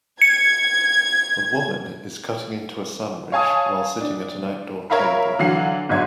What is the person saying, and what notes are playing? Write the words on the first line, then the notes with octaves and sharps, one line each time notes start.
A woman is cutting into a sandwich while sitting at an outdoor table.
G#6 C#7
C#5 F5 G#5 A5 D#6
D4
A#4 C#5 E5 F5 B5
D3 E3 F#3 F5 F#5 C7
G1 G#2 F#3 D4 E5 G#6